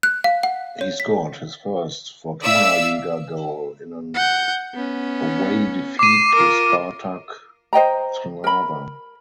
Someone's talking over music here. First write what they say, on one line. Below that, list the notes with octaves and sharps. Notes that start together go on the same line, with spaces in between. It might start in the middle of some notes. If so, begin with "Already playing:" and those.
He scored his first Fortuna Liga goal in an away defeat to Spartak Trnava.
F#6
F5
F#5
C#5
B6
D5 E5 F5 E6
F#5 G6
B3 C#4
D6 C7 D#7
F4 A#4
C5 D#5 G5 A#5
A#4 B5